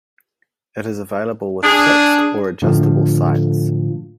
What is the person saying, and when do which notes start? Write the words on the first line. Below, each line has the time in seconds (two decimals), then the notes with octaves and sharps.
It is available with fixed or adjustable sights.
1.63 D4 G#4
2.62 A2 D3 F3